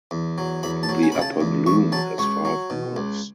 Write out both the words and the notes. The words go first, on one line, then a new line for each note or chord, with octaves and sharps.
The upper glume has five nerves.
E2
F#3
E2 B5
A5
F#3
G#5
C#3 B5
A5
E2
E2 C#6
F#3 A5
C#2 C#6
F#3
B2
C#2